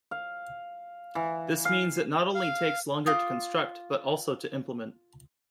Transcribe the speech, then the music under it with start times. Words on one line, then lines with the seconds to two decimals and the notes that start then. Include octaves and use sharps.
This means it not only takes longer to construct, but also to implement.
0.11 F5
1.15 E3
1.65 F5
2.35 F5
3.06 F4 D6 D#6